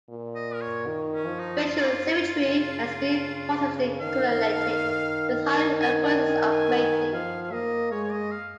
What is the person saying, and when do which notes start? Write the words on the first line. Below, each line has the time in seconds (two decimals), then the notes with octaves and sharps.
Facial symmetry has been positively correlated with higher occurrences of mating.
0.09 A#2
0.35 D#5
0.54 A#4
0.61 C#5
0.87 D#3
1.13 C#4
1.26 F3
1.40 D#4
1.66 F4
2.45 C#3
4.00 D#3 F5
5.57 G#5
5.81 G#5
6.04 G#5
6.28 G#5
6.51 G#5
7.14 F3 F5
7.43 F5
7.52 A#3 D#5
7.92 G#3 C#5
8.04 C#5
8.12 D#5
8.31 F5